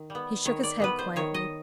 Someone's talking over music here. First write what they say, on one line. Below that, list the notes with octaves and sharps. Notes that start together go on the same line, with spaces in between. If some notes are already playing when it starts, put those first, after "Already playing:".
He shook his head quietly.
Already playing: D#3
G3 B3
D#3 C#5
D5
G3 B3 B4
C5
D#3 C#5
D#5